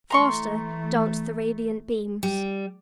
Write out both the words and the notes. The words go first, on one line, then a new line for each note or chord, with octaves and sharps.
Faster danced the radiant beams.
E3 A3 A#5 C6 C#6
G3